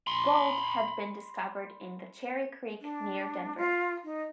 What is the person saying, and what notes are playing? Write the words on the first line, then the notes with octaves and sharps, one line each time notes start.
Gold, had been discovered in the Cherry Creek, near Denver.
B5 C6
D4
F4
D#4